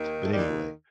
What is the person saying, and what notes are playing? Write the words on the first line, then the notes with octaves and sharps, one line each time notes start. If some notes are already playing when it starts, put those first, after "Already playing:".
but anyway.
Already playing: D#2 D#3
A3
D#2 D#3 G3